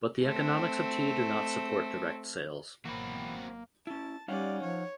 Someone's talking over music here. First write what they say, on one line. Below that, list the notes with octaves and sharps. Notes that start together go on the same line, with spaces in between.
But the economics of tea do not support direct sales.
A3 C4
G#1 B2 E3 F#3 A#3 C4 F#4 B5
C#4 E4 A5
G3 C#4 D#4 D5 F5 F#5
F3 C#5